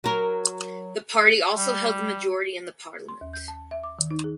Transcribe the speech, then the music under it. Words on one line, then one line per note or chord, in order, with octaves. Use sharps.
The party also held the majority in the parliament.
F#3 A#4
G3
C6
D#2
G6
A5
E5
D6
D#3
D#4
G#4